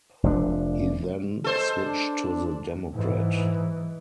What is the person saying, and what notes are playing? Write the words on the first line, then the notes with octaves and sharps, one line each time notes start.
He then switch to the Democrat.
F1 F3 C4 D4
G#3 A4 C5
D4
G#2 E3